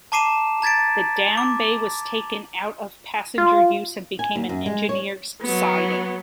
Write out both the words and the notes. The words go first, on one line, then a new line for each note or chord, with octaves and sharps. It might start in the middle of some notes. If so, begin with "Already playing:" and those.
The down bay was taken out of passenger use and became an engineer's siding.
A5 A#5 D6 C7 D#7 E7
A#5 G#6 A6 B6 D7
D6
F4
G#5
D#2
F#2
G#3
C#5
F#3 B3